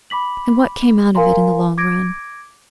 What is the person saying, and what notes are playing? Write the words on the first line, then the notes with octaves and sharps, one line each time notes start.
'And what came out of it in the long run?'
B5 D6 B6 F#7
A#4 F5 G#5 A#5 C6
D6 G#6 A#6 D7